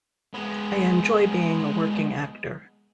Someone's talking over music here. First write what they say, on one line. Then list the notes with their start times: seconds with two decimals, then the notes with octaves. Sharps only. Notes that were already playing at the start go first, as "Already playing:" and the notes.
I enjoy being a working actor.
0.34 G#3 B3